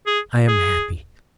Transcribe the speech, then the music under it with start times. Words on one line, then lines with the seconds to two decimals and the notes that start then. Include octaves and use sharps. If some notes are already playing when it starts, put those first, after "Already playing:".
I am happy.
0.06 G#4
0.48 G#4